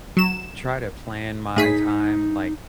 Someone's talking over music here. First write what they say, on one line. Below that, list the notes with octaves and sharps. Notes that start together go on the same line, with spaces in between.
try to plan my time, like,
F#3 E7
A2 D#4 G#4 B6